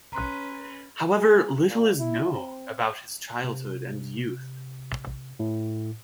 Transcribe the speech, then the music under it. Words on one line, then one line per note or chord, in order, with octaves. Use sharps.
However, little is known about his childhood and youth.
C#4 B4 A#5 C6 F#6
G#4
A#2
E4
C4
C3
A2